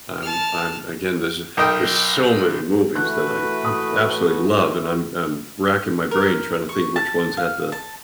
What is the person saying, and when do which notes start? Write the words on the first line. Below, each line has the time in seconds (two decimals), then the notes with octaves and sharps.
I'm I'm again, there's a there's so many movies that I just absolutely love, and I'm I'm racking my brain trying to think which ones had the
0.22 A5 F6
1.57 B1 A#4 D#5 G5 D#6
2.96 E3 A3 F#4 B4 F#6
3.65 D#6
6.11 A#4
6.69 C#6
6.96 A5
7.37 F5
7.72 A5